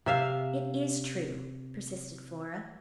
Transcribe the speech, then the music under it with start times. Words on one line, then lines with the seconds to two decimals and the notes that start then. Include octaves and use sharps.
"It is true," persisted Flora.
0.06 C3 E5 F5